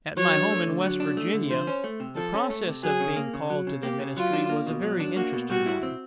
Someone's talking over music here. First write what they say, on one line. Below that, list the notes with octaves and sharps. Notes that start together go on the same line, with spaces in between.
At my home in West Virginia the process of being called to the ministry was a very interesting one.
F#3 C#5
D4
A3
D3
F#3
D4
A3
D3
F3 C5
C#4
A3
C3
F3 A4
C#4
A3
C3
F#3 G#4
C#3
A#3
C#3
F#3
C#3
A#3 G4
C#3
F#3 F4
D4
A#3
B2
F#3
D4
A#3 F#4
B2
G3 F#4
E4
C4